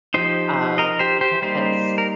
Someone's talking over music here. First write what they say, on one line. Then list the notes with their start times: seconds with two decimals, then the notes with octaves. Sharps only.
um, because,
0.14 F3 D#4 G4 C5
0.78 A#4 D#5
0.99 G4 C5
1.21 G4 C5
1.42 G3 A#3 D#4 G4 C5
1.98 A#4